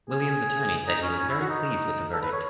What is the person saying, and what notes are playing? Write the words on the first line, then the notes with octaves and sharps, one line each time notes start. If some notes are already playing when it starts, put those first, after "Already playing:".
Williams's attorney said he was very pleased with the verdict.
G#4
D#4
C#4
C#4
E4
F#4
D#4
A4
B4
C#5